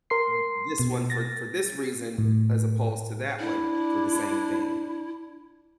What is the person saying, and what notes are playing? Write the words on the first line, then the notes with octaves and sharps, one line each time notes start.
th this one for for this reason, as opposed to that one for the same thing,
A#4 C6 C7
B2
A6 A#6
A2
D4 E4